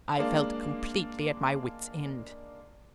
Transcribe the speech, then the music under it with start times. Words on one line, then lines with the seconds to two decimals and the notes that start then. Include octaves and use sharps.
I felt completely at my wit's end!
0.17 G#3 A#3 D4